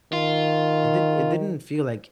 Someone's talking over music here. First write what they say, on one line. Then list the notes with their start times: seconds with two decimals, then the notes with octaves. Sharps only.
it did it didn't feel, like,
0.13 D#3 F4